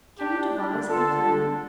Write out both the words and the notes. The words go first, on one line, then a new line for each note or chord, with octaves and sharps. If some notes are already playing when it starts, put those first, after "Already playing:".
Can you devise any plan?
D4 G4
D4
D4
D3
F4 A4
D3
D4
D4